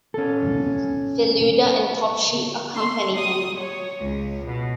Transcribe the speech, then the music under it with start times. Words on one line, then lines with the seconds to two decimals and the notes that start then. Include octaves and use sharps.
Feluda and Topshe accompany him.
0.14 C#4 A4
2.76 C6
3.17 D#6
3.58 C#5
4.01 C#2
4.46 B2